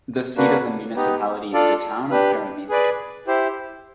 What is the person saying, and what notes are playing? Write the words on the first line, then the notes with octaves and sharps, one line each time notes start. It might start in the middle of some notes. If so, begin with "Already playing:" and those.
The seat of the municipality is the town of Paramythia.
A#3 D4 F#4 B4
B3 D#4 G4
D4 F4 A4 D5 F5
D4 G4 B4
G#4 B4 D5
E4 G4 C5